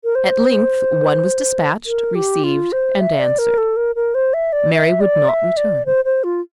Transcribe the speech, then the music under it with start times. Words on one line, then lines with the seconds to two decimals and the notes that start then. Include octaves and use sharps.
At length one was dispatched, received, and answered: Mary would not return.
0.04 A#4
0.15 C5
1.86 A#4
2.15 G4
2.44 F4
2.72 C5
3.00 E5
3.19 D5
3.39 A#4
3.58 A4
3.77 A#4
3.96 A#4
4.15 C5
4.34 E5
4.53 D5
4.72 E5
5.01 D5
5.29 E5
5.57 D5
5.86 C5
6.05 C5
6.24 F4